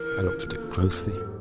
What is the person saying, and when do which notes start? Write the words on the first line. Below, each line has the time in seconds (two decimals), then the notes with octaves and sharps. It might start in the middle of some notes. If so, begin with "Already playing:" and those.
I looked at it closely.
Already playing: E3 A#4
0.11 C#3
0.29 F3
0.46 A#3
0.57 A#4
0.63 F3 A4
0.82 F2
0.99 G#2
1.16 F#3
1.25 G4